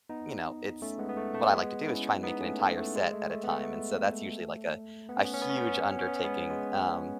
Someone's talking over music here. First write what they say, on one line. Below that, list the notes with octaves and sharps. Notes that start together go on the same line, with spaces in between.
you know, it's What I like to do is try and make an entire set at a time, and so that's usually like a a huge undertaking, um
B3 D#4
A3 C#4
G#3 B3
B3
A3
A3
G#3 B3
C#4 E4
B3 D#4
A3 C#4
A3
A3
G#3
A3
A3
B3
A3
B3
C#4
B3
C#4
B3
C#4
B3
C#4
B3
C#4
B3
C#4
B3
C#4
G#3 B3
G#3 B3